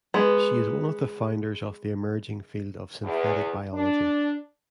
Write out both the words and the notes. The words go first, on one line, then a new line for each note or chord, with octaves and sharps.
She is one of the founders of the emerging field of Synthetic Biology.
G#3 B3
E2
D4